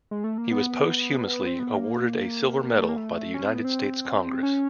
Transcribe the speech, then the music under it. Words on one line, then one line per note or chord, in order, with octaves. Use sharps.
He was posthumously awarded a silver medal by the United States Congress.
G#3
A3
A#3
B3
C4
B3
A#3
A3
A#3
A3
C#4
C4
B3
C4
C#4